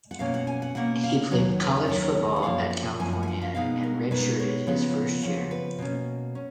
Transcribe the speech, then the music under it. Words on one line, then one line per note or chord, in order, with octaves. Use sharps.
He played college football at California and redshirted his first year.
F#5
B2 A#3 C#4 F5
F#5
G#5
F#5
B2 A#3 C#4 F#5
F5
D#2 D#3 F#3 C#5
B4
D#2 D#3 F#3 C#5
D#5
F#5
F#2 F3 A#3 F5
F#5
F#2 F3 A#3 G#5
F#5
G#5
F#5
F5
B2 G#3 B3 D#4 F5
A#4
B2 G#3 B3 D#4 B4
C#5
C#3 F3 B3
C#3 F3 B3 F#5
B4
B2 A#3 C#4
C#4